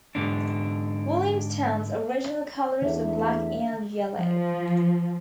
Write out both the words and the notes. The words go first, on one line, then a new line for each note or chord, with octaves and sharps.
Williamstown's original colours were black and yellow.
G#2 D3 D4
E2 D#3 A3 D4 E5
F3